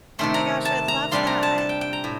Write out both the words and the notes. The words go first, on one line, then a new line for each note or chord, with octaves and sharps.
Oh my gosh, I love that.
C3 D#3 A3 C6
A#5
A5
A#5
C3 G3 D4 F4 C6
A#5
A5
A5
G5
G5
A#5
A2